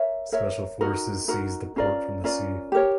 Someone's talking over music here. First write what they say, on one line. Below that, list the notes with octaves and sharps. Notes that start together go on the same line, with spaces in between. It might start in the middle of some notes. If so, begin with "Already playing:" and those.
Special forces seized the port from the sea.
Already playing: A#4 C#5 E5
A#4 C#5 E5
D#4 F#4 A#4
D#4 F#4 A#4
C#4 F4 A#4 D5
C#4 F4 A#4 D5
G4 A#4 C#5